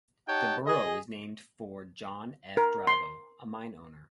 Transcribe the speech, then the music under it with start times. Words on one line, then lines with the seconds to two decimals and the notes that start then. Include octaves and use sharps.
The borough was named for John F. Dravo, a mine owner.
0.27 D#4 G4 C#5 F#5 G5 A5
0.66 G#4 D#5
2.57 A#4
2.87 C6